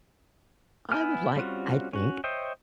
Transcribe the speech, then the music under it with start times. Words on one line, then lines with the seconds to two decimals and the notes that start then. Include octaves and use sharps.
I would like I think
0.92 B3 E4 G#5 F6
1.36 G3 C4 C#4 F4 F#4
1.93 C#4 F#4
2.24 C5 C#5 D#5 E5 G5